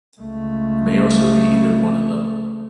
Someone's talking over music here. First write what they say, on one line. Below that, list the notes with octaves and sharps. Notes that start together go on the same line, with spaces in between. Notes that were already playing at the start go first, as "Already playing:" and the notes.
It may also be either one of them.
C#2 A3